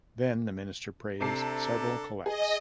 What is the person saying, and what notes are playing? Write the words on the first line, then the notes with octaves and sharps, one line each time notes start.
Then the minister prays several collects.
C3 D4 A4 A5 A#5 C7
G#4 D#5